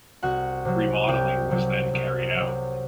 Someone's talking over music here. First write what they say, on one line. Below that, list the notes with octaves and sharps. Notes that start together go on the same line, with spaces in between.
Remodelling was then carried out.
C2 F#4 F#5
C3 F#3
C2 G4 G5
C3 F#3
C2
C3 F#3